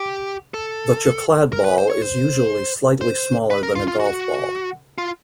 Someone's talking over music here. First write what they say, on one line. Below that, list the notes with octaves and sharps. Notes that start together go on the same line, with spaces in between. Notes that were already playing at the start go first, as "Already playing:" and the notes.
The chokladboll is usually slightly smaller than a golf ball.
Already playing: G4
A4
A#4
B4
C5
C#5
C5
C5
B4
A#4
F4
F4
F#4
F4